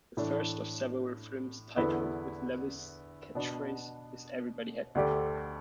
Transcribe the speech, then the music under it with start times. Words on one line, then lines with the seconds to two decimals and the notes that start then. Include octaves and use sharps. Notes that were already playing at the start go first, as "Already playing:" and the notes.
The first of several films titled with Lewis' catchphrase, Is Everybody Happy?
0.17 A2 E3 A3 D4
1.77 E2 D3 B3 E4 B4
3.35 B2 B3 D4
4.95 D2 D3 A3 G4 D5